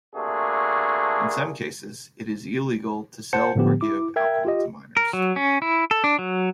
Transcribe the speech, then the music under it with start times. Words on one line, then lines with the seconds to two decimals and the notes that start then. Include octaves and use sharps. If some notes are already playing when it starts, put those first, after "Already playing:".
In some cases, it is illegal to sell or give alcohol to minors.
0.15 C3 A3 A#3 D4 F#4 G#4
3.33 C5 F#5 A5 G6 C#7
3.55 A2 D3 F3 B3 G4
3.81 E4 D6
4.16 A#4 E5 G5 G#6
4.45 F4 G4 D#5
4.97 A#4
5.13 F#3
5.36 C#4
5.62 E4
5.91 A4
6.04 D4
6.19 F#3